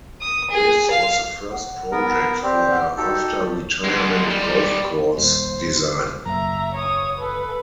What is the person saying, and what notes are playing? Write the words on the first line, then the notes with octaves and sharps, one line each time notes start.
This was the first project for her after-retirement golf course design.
D#6
G#4
F5
F#5
B3 A#4
C4 G4 D5
F#5
D#4 F#4 G4 A4
D3 G#3
D#3 G3
D#1 C5
F#1 E5 A#5
C#5 D#6
A4 B4